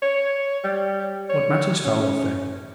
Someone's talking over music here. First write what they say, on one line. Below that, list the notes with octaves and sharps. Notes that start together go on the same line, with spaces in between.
What matters foul or fair?
C#5
G3
C#5
C#4